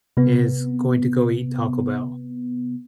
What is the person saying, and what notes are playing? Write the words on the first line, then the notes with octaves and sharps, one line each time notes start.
is going to go eat Taco Bell.
C3 B3